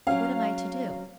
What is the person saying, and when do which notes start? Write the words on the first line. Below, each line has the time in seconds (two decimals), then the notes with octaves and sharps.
"What am I to do?"
0.07 F#3 C#4 F5